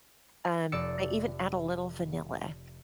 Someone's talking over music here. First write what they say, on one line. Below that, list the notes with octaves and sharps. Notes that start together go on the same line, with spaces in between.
Um, I even add a little vanilla.
F1 D5 E6 C#7